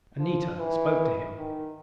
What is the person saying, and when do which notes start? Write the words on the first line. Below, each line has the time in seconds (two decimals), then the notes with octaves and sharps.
Anita spoke to him.
0.19 F3
0.59 E3
1.38 D#3